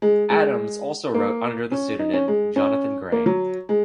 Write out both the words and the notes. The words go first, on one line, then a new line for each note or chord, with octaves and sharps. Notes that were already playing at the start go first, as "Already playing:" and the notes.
Adams also wrote under the pseudonym 'Jonathan Gray'.
G#3
G#3
A#3
C#4
D#4
C#4
G#3
C#4
A#3
F#3
G#3